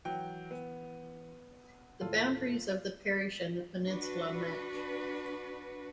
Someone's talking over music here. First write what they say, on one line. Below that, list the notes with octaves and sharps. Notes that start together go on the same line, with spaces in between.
The boundaries of the parish and the peninsula match.
E3 F#3 G5
B3
D#2 A2 F4 A4
D4 F#4 B4